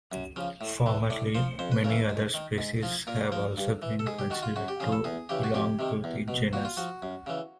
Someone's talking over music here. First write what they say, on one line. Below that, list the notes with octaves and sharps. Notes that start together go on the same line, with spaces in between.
Formerly, many other species have also been considered to belong to the genus.
F#2
C#3 F3
A2
E3
A2 D5
F3 C5
F2 C5
B4
C#3 E3 A#4
G#2
D#3
G#2
F3
A#2 A#4
F3 A#4
G2
E3
A4
G#2 G#4
G4
D#3 F#4
F4
F#2 F#4
G4
C#3 F3 G#4
A4
E2 G#4
C#3 E3 G4
F#4
F2 G4
C3 D#3
E2
B2
A#2 F#4
F4
F3 F#4
F#2
C#3 E3